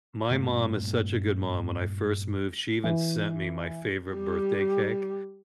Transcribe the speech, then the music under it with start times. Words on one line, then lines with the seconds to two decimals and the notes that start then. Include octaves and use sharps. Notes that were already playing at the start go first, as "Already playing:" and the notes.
my mom is such a good mom. When I first moved, she even sent me my favorite birthday cake
0.31 G2 A#2 A3 C4
2.84 E3
4.12 G3 G4